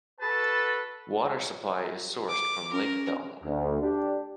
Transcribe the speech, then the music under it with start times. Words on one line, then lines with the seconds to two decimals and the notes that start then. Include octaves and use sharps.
Water supply is sourced from Lake Belmore.
0.21 F#4 A4 B4 A5
2.28 D6
2.72 C#4 A#4
3.44 D2
3.82 D4 G4